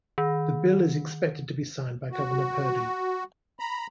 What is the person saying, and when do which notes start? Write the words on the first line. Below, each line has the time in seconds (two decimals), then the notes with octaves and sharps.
The bill is expected to be signed by Governor Perdue.
0.18 D#3
2.12 F#4
3.59 A#5 B5